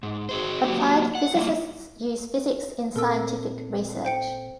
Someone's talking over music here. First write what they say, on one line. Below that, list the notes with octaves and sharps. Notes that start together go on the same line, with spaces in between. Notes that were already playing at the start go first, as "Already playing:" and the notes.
Applied physicists use physics in scientific research.
G#2
F#4 G#4 C5
F#3 A#3 C#4 F#4 G4
F#5
G3 A3 A#3
A#2 C4 A4 A#4 E6
C5 G5 C#7